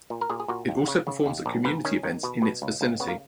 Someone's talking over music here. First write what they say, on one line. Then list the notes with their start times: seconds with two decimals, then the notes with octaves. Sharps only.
It also performs at community events in its vicinity.
0.10 A#2
0.21 A#4
0.30 A#2 G#4
0.40 G#4
0.48 A#2 F#4
0.69 D#2
0.87 C#3
1.07 C#3
1.26 D#2
1.46 A#1
1.65 G#2 B4
1.85 D#3 C#4
2.03 D#3
2.23 B2
2.42 B2
2.62 C#2
2.81 C#2
3.00 C#3 B3
3.08 A#3